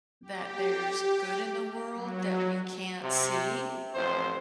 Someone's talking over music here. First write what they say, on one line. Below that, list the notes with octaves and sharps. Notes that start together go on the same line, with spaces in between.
that there's good in the world that we can't see,
G4
F#3
C3
A1 F2 C5